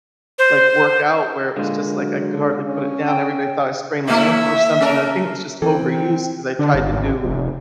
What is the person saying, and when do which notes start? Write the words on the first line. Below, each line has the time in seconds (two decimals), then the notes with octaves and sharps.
like, work out, where it was just like I could hardly put it down, everybody thought I sprained my ankle or something, and I think it was just overuse 'cause I tried to do,
0.39 C5
1.56 A#2 D3 G#3 A#3
1.92 F#3
2.34 A4
2.65 C#4
3.08 G5
4.08 A2 A3 A#3 E4 E5
4.81 C#4 A4 A#4
5.62 E3 C4 A4 G5
6.59 D3
6.75 G1
6.91 G#1
7.24 F1